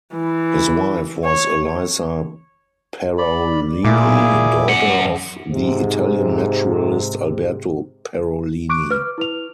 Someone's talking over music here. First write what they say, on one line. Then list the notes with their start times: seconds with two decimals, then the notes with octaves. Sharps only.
His wife was Elisa Parolini, daughter of the Italian naturalist Alberto Parolini.
0.13 E3
1.25 C#5
3.18 D5 B5
3.85 A#2 E4 G#4 D6
4.69 F#2 F#5
5.50 G#2 C3
8.69 C#6 D6 F#6 D7
8.90 B4 F6
9.18 E4 B4 F7